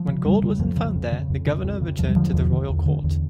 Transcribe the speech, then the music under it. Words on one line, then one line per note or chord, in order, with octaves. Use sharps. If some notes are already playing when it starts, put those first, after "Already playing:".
When gold wasn't found there, the governor returned to the Royal Court.
Already playing: F3
C#3
F2 G3
C#3
F2 F3
C#3
F2
C#3
F2
C#3
F2
C#3
E2 F3
G3
D3 F3
E2
D3
E2
D3
E2